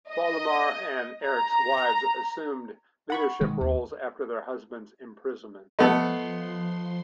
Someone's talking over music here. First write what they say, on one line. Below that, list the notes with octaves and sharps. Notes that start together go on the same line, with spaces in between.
Valdemar and Eric's wives assumed leadership roles after their husbands' imprisonment.
D#5
A#5
F#5 B5 C#6
B2 D#3 G#3
D#2
F3 A3 B3 A4 D#5 C6